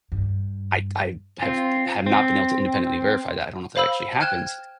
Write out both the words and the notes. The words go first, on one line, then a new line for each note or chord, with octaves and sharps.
I I have have not been able to independently verify that, I don't know if that actually happens.
G2
C4 F4
C4
C5 F5 B5 E6 F#7
G5 F6 F#6 G#6 E7